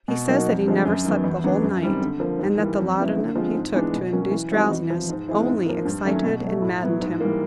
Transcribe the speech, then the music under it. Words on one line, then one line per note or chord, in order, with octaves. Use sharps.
He says that he never slept the whole night, and that the laudanum he took to induce drowsiness only excited and maddened him.
B2
F#3 A#3 D#4 F#4
F2
D3 F3 G#3
F#2
D#3 F#3 B3
E2
C#3 F#3 B3 D4
F#2
D#3 G3 C4
D3
F3 A#3
G#2
E3 G3 A#3
F2
C#3 F#3 B3 E4
D3
F3 G#3 C4 F4
G#2
E3 G#3 B3 D4
B2
F#3 A#3 C#4 F#4
E3
G3 C4 D#4 F#4
E2
C3 F3
G#2
E3 G#3 C4 E4
G#2
F3 A#3
G2
D#3 F#3 A3 C#4
B2
F#3 A3
A2
F#3 B3 E4
G#2
E3 G3 A#3